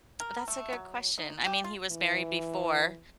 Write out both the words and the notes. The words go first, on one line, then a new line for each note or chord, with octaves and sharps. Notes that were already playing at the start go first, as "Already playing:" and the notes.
That's a good question. I mean, he was married before,
A#4
A3
F#3
D#4
G4
F4
E3